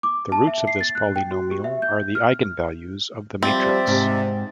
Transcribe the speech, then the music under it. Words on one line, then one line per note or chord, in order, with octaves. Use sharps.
The roots of this polynomial are the eigenvalues of the matrix.
D6
A5
E5
C7
A6
F#6
G5
F#4
G4
E5
G6
F6
F3 G3 C4 D5 E5
G#2 C3